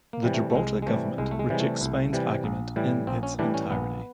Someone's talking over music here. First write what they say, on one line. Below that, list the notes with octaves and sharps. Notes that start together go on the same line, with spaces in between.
The Gibraltar government rejects Spain's argument in its entirety.
A#3
C3 E3 G3
A3
A3
C2 G#3
G#3
C3 E3 G3 A3
C2 G#3
A3
G#3
C3 E3 G3 G#3
A3
C2
C3 E3 G3
A#1
A2 E3 G3
A#1 C4
C#4
A2 E3 G3 D4
C#4
A#1 B3